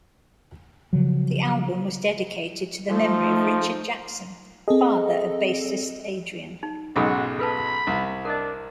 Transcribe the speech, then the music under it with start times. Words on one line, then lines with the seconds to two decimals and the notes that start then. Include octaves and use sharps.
The album was dedicated to the memory of Richard Jackson, father of bassist Adrian.
0.93 C#3 F3 F#3
2.89 F3 A3 D#4
4.68 C4 G#4 A4 D#5
6.63 D#4
6.96 B1 G#2 C#3 F#4 G#4 A4 D#6
7.39 A4 B4 A5 B5
7.87 C2
8.25 D4 A#4 D#5